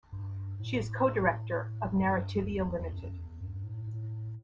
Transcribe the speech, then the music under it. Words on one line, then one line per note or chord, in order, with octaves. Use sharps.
She is co-director of Narrativia Limited.
G2
A2
G2
E2
E2
F#2
E2
G2
A2
A2